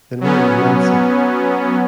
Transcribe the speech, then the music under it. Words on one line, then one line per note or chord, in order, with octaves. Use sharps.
Then where is Nancy?
F#3 B3 C#4